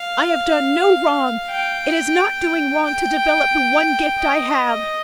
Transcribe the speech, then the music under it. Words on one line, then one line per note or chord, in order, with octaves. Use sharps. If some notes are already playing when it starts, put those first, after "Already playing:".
I have done no wrong ... it is not doing wrong to develop the one gift I have.
Already playing: F5
G5
G5
D#5